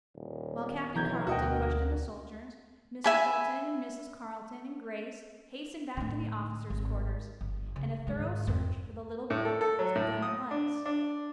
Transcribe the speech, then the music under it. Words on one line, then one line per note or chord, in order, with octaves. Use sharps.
While Captain Carleton questioned the soldiers, Mr. Fulton and Mrs. Carleton and Grace hastened back to the officers' quarters, and a thorough search for the little girl was begun at once.
D#1
D#3 B3
B1 E3 A#5 G6 G#6
D2 B2 F#4 A#4 D#5 G5
E5 G#5 B5
A2 D3
G#1
G1
C#3
G#2 D#3
F2 C4
A2
A4
A4
F#3
A2
D#6
D4
D4